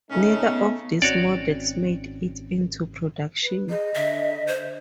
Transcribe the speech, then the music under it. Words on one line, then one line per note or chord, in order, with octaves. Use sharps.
Neither of these models made it into production.
C#3 A3 C#4 D#4
B3
G#1 C4 C#4 F#4 C#5 D5
B4
G#4 D#5
D3 E5
C5